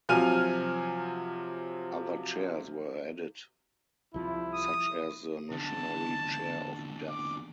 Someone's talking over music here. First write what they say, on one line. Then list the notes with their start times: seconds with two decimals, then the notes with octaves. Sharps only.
Other chairs were added such as the Missionary Chair of Duff.
0.09 C3 F3 F#3 G#5 F6 D#7
4.14 C2 F3 E4
4.53 D#6
5.51 E2 D3 A5
7.09 D6